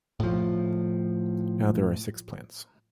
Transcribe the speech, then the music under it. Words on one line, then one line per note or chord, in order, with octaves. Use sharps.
Now there are six plants.
A2 F3